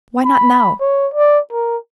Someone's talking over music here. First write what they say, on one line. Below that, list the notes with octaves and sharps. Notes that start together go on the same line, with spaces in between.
Why not now?
B5
C#5
D5
A#4